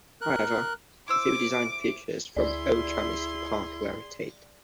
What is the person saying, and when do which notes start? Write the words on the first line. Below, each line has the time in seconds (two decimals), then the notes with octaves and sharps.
However, a few design features from old Comiskey Park were retained.
0.21 A#4 F#6
1.08 E4 C5 D6 E6
2.36 D2 E4 G#4 D5 C6